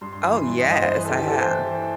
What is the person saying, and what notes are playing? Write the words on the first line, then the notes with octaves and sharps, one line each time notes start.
Oh yes, I have.
G2 C6
C6
E3 B5
C6
G2
D#5
G2 D#5
C5
E3 B4
A4
E3 G4
A4
E3 C5
E3